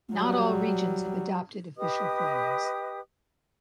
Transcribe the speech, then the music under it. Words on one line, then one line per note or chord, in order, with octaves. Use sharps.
Not all regions have adopted official flags.
F#3 G3
G4 B4 D#5 D#6